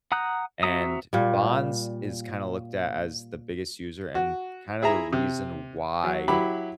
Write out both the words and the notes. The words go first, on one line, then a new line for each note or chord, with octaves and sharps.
And Bonds is kinda looked at as the biggest user and kinda the reason why
F#5 A#5 D#6 F#6 G6
C4 F#4 E5 A#5 D#6
A#2 G3
F#4
E4 G#4 E5 A#5
C3
F#3
F#3 E4 G4 B5